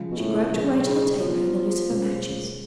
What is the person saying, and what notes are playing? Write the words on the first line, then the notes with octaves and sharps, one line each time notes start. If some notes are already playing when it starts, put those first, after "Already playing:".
She groped her way to the taper and the lucifer matches.
Already playing: C#3 F3 G#3
B2
A2
B2 F#3 C#4 G#4
C#3
F3 B3 D4 F#4
B2 G#3 C#4